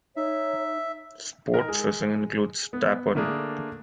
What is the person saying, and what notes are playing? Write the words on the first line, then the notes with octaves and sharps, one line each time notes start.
Sport fishing includes tarpon.
D#4 C#5 E5
D#4 A#4
G#3
B3
D3 A3 A#3 D4 G#4